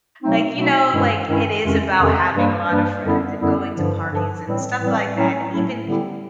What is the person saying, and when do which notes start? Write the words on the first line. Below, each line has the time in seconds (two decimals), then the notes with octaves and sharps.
like, you know, like, it is about having a lot of friends, and going to parties, and stuff like that, and even ea
0.22 B2 F#3 A3 C4 D#4
0.57 B2 F#3 A3 C4 D#4
0.93 G2 D#3 G#3 C#4 E4
1.28 G2 D#3 G#3 C#4 E4
1.63 F2 C3 D#3 G#3 C#4
1.99 F2 C3 D#3 G#3 C#4
2.35 G2 E3 G3 A#3 D4
2.69 G2 E3 G3 A#3 D4
3.05 F#2 D3 G3 B3 E4
3.39 F#2 D3 G3 B3 E4
3.76 G2 D3 F3
4.10 G2 D3 F3
4.46 A2 E3 G3 C4
4.81 A2 E3 G3 C4
5.16 A2 F#3 A3 C#4 E4
5.51 A2 F#3 A3 C#4 E4
5.87 D3 G3 B3 E4 G4